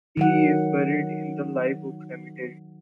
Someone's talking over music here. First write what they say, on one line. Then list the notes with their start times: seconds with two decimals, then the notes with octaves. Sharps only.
He is buried in the Live Oak Cemetery.
0.17 D#3 F#3 F#5